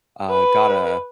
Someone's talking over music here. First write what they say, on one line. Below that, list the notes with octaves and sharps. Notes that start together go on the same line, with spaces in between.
uh, got a
B4